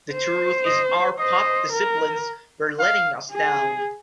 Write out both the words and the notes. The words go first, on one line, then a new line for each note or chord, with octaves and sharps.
The truth is our pop disciplines were letting us down.
C5
D#5
C5 D#5
A#4
F5
G#4